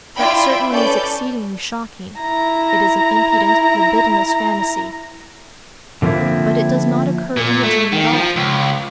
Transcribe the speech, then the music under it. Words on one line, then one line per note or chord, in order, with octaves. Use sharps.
That certainly is exceedingly shocking, it is an impudent libidinous phantasy, but--it does not occur in the dream at all.
E4 F4 D5 E5 G5 B5
C#4 A4 B4 D5 G6
E4 A#5
D3 F3 A#3 C4 E4
A#2
A3
D#3
F3
C#2